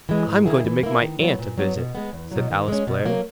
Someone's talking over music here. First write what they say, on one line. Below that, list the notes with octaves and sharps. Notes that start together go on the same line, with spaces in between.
"I'm going to make my aunt a visit," said Alice Blair.
E3 G#3
G#2
D#3 A#3 E4 G#4
E3
A#3 E4
D#3
F#3 B3
A#2
F#3 B3
B2
G#3 B3
E2
B2 F#3
D#3
G#3 C#4
B2
F#3 A#3